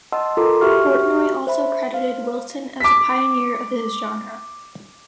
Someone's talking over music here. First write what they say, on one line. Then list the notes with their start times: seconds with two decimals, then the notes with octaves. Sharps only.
Portnoy also credited Wilson as "a pioneer of his genre".
0.12 D#5 F#5 A5 C6 E6
0.37 F4 A4 A#4 A#5 C6 D6
0.61 F#4 G4 E5 F#5 C#6 F6
1.47 C5 E5 B5
1.93 C5 F5
2.80 D6 B6